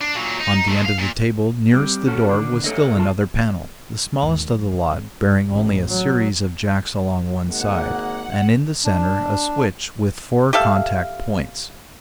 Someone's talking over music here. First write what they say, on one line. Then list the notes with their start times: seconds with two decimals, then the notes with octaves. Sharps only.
On the end of the table nearest the door was still another panel, the smallest of the lot, bearing only a series of jacks along one side, and in the center a switch with four contact points.
0.01 D4
0.15 A#2 F#3
0.41 D#4
0.68 G#3 A3
0.85 F5
0.98 A#2
1.73 G3 C4
2.07 C#4 F#4 A4
2.29 D#2 D3 D4
2.64 A3 A4 C#5 D#5
2.95 B2 F4 A5
4.23 D#2 G#2
4.48 F#2
4.71 C#3
4.92 G#1 E3
5.50 A1
5.88 F#3
7.49 G#1 G#3 A#3 F#5
8.85 D4
10.53 G4 A4 E5 F5